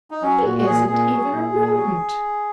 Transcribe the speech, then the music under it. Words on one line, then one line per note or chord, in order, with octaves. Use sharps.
He isn't even a Rodent.
D#4
F#3 C#4
A#2 F#4
F#4
A#2 G#4
A#2 G#4
F#3
A#2
A#2
F#3